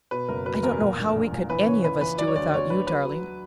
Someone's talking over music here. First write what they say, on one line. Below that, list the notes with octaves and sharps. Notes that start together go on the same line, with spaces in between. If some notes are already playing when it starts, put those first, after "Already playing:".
I don't know how we could any of us do without you, darling.
B2 B4
F#1 A#4
F#3 B4
E2 A#4
A#2
A#1
A#1
A#1
E3 B4
C#3 C#5
E3 B4
E3 B4
F#3 D5
C#5
D2 D5
D2 C#5
D2 B4
F#3 B4
F#3
F#3